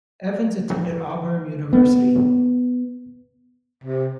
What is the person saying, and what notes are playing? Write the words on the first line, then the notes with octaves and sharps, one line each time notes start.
Evans attended Auburn University.
B3
C3